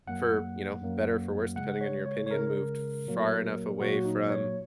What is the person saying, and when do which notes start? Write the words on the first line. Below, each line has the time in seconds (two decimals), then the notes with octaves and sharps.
for, you know, better or for worst, depending on your opinion, moved f far enough away from
0.07 F#2 F#3 A#3 F#5
0.82 F#2 F#3 A#3
1.56 C#3 G#3 F#5
1.81 C#5
2.06 C#5
2.27 C#5
2.31 C#3 G#3 A#4
3.06 A#2 F#3 A#3
3.80 A#2 F#3 A#3 F#4
4.05 D#4
4.30 C#5